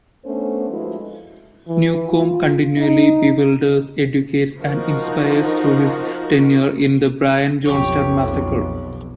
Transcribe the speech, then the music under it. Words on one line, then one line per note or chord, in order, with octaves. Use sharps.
Newcombe continually bewilders, educates and inspires through his tenure in the Brian Jonestown Massacre.
A3 B3 C#4 D4 A4 C5
F3 G#3 A3 E4 F#4 B4
E3
F4
D#4
F3 D#4 F#4 A#4
B1 F2 G4 C#5